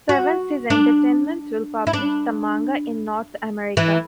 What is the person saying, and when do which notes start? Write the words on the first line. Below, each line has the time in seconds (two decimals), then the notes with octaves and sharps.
Seven Seas Entertainment will publish the manga in North America.
0.09 F#4
0.70 D4
1.87 E4
1.93 D4
3.77 E3